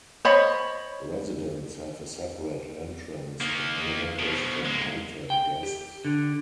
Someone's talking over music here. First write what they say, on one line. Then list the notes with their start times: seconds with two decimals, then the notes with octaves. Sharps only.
Residents have a separate entrance and elevators from hotel guests.
0.25 C5 C#5 D#5 B5
3.41 D#3 A#3
4.19 B2 F3
4.65 G#3 A#3
5.30 G5
5.63 G4
6.05 D3